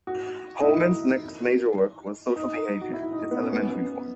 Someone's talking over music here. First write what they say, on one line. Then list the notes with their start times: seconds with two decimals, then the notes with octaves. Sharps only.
Homans's next major work was "Social Behavior: Its Elementary Forms".
0.07 F#4
0.60 D#4
0.63 E4
2.36 D#4
2.81 F#4
2.93 E4
3.13 D#4
3.31 B3
3.42 C#4
3.53 B3